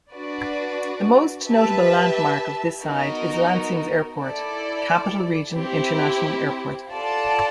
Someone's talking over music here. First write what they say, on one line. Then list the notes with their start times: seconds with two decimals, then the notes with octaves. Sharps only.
The most notable landmark of this side is Lansing's airport: Capital Region International Airport.
0.12 D4 F#4 B4 D5
1.47 G4 B4 E5 A5
2.83 B3 D#4 F#4 A#4
4.19 E4 A4 D5
5.53 C4 E4 G4
6.88 F4 A4 D5 F#5 A5